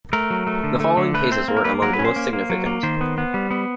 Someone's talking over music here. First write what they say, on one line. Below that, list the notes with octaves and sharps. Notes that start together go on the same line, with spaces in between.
The following cases were among the most significant.
A3 A#4
F#3
A3
D3
A3
D3
A3 B4
C4 C5
A#3
A#4
A#3 B4
F#3 A#4
B4
C#4
C5
A#3
A#3
F#3
A#3
D#3 C5
B3
B3
G3
B3